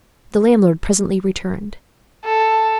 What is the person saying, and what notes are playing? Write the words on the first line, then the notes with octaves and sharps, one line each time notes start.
The landlord presently returned.
A4